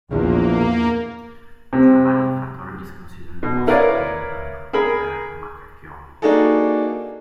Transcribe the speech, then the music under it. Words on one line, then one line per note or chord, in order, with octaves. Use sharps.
Giovanni Fattori is considered the most prominent member of the Macchiaioli.
A#1 E2 A#3
C3
B2
E4 A#4 B4 C#5 D5 F5
G#4 A#4 B5
A#3 D4 D#4 F#4 G#4 A4